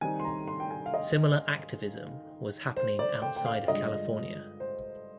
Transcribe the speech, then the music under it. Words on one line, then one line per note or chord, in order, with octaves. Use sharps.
Similar activism was happening outside of California.
D#3 G3 C4 D#4 G#5
C6
A#5
C6
G5
G#5
F5
D#5
C5
D5
G5
G5
F5
G2 D3 F3 G#3 D#5
C5